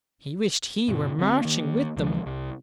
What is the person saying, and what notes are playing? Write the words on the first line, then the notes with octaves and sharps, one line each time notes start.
He wished he were marching with them.
G2 B2
D3 C4
D#3 A#3
D2 C3 F3 G#3
C2